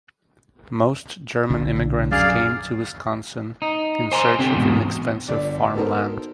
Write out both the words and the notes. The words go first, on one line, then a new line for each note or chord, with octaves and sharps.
Most German immigrants came to Wisconsin in search of inexpensive farmland.
B1 D3
F#2 G#4 D5 F5
D#4
C5 G#5 A#5 C6
D3 C4 G4
E2 G#2 B2
G1 D3 D5
B3 D#4 F#4 A4 A#4 C5